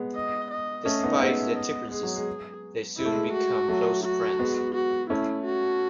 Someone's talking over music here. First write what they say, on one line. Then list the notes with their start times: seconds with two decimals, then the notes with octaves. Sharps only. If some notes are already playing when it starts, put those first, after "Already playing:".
Despite their differences, they soon become close friends.
Already playing: G#3 B3
0.15 D#5
0.51 D#5
0.85 A3 C#4 D#5
1.04 B3 D#4
1.21 G#3 B3 E5
1.56 D#5
1.91 G#3 G#4
2.03 F#3
2.16 G#3
2.97 G#3 E4
3.05 A3
3.12 G#3
3.33 F#4
3.68 F#3 A3
4.04 F#4
4.39 G#3 B3
4.74 F#4
5.10 A3 C#4 E4
5.45 F#4